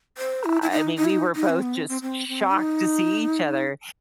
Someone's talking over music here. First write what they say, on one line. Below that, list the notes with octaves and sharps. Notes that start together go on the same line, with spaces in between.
I mean, we were both just shocked to see each other,
C5
E4
E4
D#4
D#4
E4
D#4
D#4
C4
B3
C4
C4
C4
C4
D#4